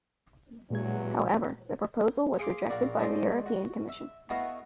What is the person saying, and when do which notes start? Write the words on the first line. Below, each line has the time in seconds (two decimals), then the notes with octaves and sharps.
However, the proposal was rejected by the European Commission.
0.70 E2 G2 A#2 F#3 G#3 G#6
2.39 G#4 F5 C6 D6
2.69 A#1 A#3 F#4 D5 B5
2.99 G#3 A3 C5 D5 D#5
3.46 F#4
3.89 E5
4.30 A3 B3 E4 F#4 D#5 F5